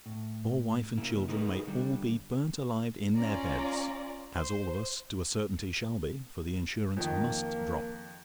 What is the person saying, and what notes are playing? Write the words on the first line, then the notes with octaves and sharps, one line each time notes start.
Your wife and children may all be burnt alive in their beds--as all of us to a certainty shall be, for the insurance MUST drop.
A2
C#3 A#3 E4
D#4 G#4 A#4 B4
D3 G3
C#4 F4 D5 A#5
C5
F2 D#3 A#3